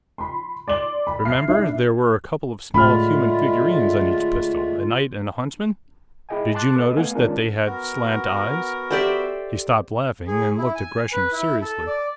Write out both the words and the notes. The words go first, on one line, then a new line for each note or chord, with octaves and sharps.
"Remember, there were a couple of small human figures on each pistol, a knight and a huntsman? Did you notice that they had slant eyes?" He stopped laughing, and looked at Gresham seriously.
B5 C6
D5 C6 F#7
B5
E5 F6 C7
D4 E4
A2 D3 G#3 A3 F4 B5 F6
E4 G#4 D#5 G5 G#5
A5 C6 D6 F#6 A6
A4 B4 D#5
A3 B3 F5 G#5
D#3 G#3 C#4 D4 F4 A#4
B3 F#4 A#4
G4 A4 C5 D5 E5
G#4
E4
G#5
B4
E4
A4
D5